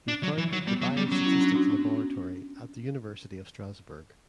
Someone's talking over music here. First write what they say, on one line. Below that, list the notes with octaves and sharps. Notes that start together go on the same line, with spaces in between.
He founded the biostatistics laboratory at the University of Strasbourg.
D4
F#3
E3
F#3
G3 B3
F#3
B3
G3
C#4
F#3
C#4 E4
D4 F#4
D4 F#4
B3 D4
C#4